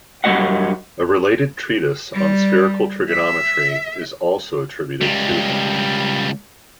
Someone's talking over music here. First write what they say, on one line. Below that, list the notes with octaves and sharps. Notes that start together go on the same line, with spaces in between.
A related treatise on spherical trigonometry is also attributed to him.
F#2 G3 A3 F#4 D#5 F#5
G3
E5
C#2 G3